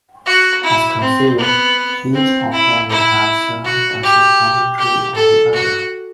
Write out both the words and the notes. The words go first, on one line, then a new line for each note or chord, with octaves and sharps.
As conceived, each opera would have served as a commentary on the other.
F#4
E4
C4
B3
C4
E4
E4
F#4
G4
G4
A4
F#4